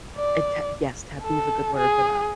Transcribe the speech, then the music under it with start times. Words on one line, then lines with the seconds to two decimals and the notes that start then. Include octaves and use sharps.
Eh, ta Yes, taboo's good word for that,
0.16 D5
1.22 A4
1.76 G#4